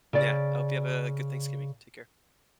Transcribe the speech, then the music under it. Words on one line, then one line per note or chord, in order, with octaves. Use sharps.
Yeah, I hope you have a good Thanksgiving. Take care.
C#3 D5